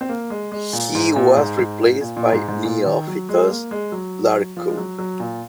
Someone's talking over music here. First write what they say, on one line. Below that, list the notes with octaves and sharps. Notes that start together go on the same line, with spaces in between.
He was replaced by Neophytos Larkou.
C4
A#3
G#3
G#3
A#2
G#2
A#2
G#2
A#2
A#2
G#2
G#2
A#2
D#3
F#3
G#3
A#3
G#3
F#3
F3
G#3
F#3
F#3
A#2